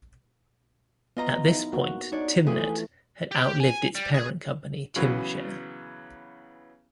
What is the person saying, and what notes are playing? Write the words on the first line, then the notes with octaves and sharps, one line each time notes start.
At this point, Tymnet had outlived its parent company Tymshare.
B3 F4 D#5 A#5
F#3 D#4 E4
A#3 F#4
D4 D#4 C#5 D5
E3 F3 A3 F4 G4 G#4 B4 G#5
G4
G#5
G3
G#4
C#3 E3 F#3 B3 C#4